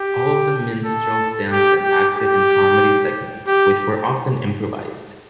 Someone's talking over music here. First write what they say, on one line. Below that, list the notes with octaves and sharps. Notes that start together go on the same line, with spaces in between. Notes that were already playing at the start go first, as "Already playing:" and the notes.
All of the minstrels danced and acted in comedy segments, which were often improvised.
Already playing: G4
A4
G4
G4
G4
G4